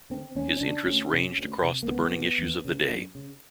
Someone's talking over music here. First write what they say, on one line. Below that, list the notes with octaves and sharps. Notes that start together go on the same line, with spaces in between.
His interests ranged across the burning issues of the day.
D3 C4
D#2 C#4
C#4
C#3 D4
D2 C#4
C3
D2
C3
A#3
C#2 B3
B2
E2
C#3
F#2
C#3